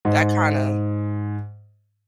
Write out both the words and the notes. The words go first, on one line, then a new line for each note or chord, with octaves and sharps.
that kinda
G#2 D#5